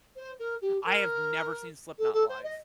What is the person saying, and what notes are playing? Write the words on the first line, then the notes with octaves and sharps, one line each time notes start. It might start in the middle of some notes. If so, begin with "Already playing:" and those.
I have never seen Slipknot live.
C5
A#4
G4
A#4
A4
A4
C5
D#5